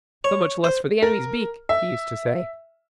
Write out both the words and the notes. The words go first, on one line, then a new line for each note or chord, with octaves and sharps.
So much less for the enemy's beak, he used to say.
C#5
C5
A#4
E5